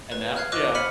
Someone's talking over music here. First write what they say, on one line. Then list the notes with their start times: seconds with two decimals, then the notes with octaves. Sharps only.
and that yeah.
0.12 B4
0.36 F6 F#6 G#6 C7
0.52 C5 D#5 C#6 D6 E6 F#6
0.75 B5 F6 B6 C#7 D#7 F#7